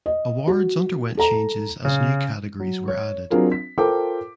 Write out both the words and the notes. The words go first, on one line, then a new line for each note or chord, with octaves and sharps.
Awards underwent changes as new Categories were added.
D#5
F#4
A4 A#5
C#3
F#3
C#5
F#3 C4 D4 F4 G#4 A#4
B6
F4 A4 A#4 C5 G5 D6